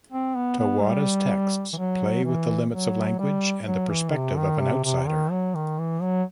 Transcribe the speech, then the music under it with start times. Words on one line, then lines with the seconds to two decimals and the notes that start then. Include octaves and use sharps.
Tawada's texts play with the limits of language and the perspective of an outsider.
0.12 C4
0.36 B3
0.59 B3
0.83 G3
1.73 E3
1.77 F#3
2.24 E3
2.72 F#3
3.18 G3
3.66 F#3
3.90 E3
4.13 C3
4.37 D#3
4.60 C3
4.84 C3
5.07 D#3
5.31 F#3
5.55 D#3
5.78 E3
6.02 F#3